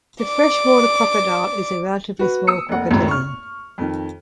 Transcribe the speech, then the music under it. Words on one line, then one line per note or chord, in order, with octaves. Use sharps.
The freshwater crocodile is a relatively small crocodilian.
D5 D6
F#4 B4
D#6 E6 C#7
F1 A#3 F#5
G#1 C#2 F#2 A2
C#6 F6
F2 D#3